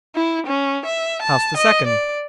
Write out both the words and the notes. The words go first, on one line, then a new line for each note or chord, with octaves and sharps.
House the second.
E4
C#4
E5
A5
D#5
D5